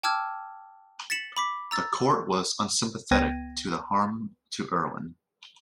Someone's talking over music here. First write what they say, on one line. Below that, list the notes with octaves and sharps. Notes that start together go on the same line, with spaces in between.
The Court was unsympathetic to the harm to Irwin.
G5 A5 D6 E6 F6 G#6
A6 B6 C#7 E7 F#7
B5 D6 B6
A#5 E6 A6
C#2 B3 G5 G#6 A#6 D#7